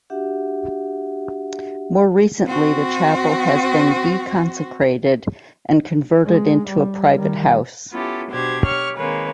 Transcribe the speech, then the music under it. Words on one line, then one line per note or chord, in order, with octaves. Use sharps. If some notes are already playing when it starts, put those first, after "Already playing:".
More recently the chapel has been deconsecrated and converted into a private house.
D4 F#4 G4 E5 F#5
C4 F#4
G#3
G3
D#3 G3
B3 C#4 E4 F4 G4 A4
B2 D4 F#4 G4 C5 G#6
G4 C#5 C#6 F6
D#3 G#3 A#3 C4 B4 C#5